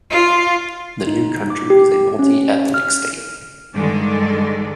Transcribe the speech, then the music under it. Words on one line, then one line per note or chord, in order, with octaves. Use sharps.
The new country was a multi-ethnic state.
F4
D#4
D6
G4
C#4
F6
G2 D3 D#3 G#3 D5